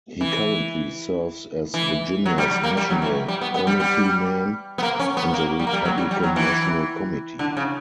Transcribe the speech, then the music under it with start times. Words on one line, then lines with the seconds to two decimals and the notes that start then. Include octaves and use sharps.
He currently serves as Virginia's national committeeman on the Republican National Committee.
0.21 E3
1.74 E3
2.26 F#3
2.38 G3
2.51 G3
2.63 A#3
2.77 G3
2.90 F#3
3.02 E3
3.28 G3
3.41 B3
3.54 B3
3.67 G3
3.80 G3
4.78 B3
4.83 A#3
5.00 C#4
5.17 B3
5.34 A#3
5.60 G3
5.67 A#3
5.73 G3
5.85 F#3
5.98 G3
6.11 G3
6.23 F#3
6.36 E3
7.39 D3
7.57 C#3